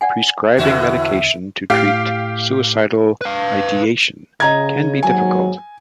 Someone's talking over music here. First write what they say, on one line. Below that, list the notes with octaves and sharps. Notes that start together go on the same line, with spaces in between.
Prescribing medication to treat suicidal ideation can be difficult.
D5 F#5 G#5
E2 A2 D3 E3 F#4 E5
A2 G4 F5
B4 F5
C#3 D#5 A#5 G#6
D#2 G#2 F#3 G#5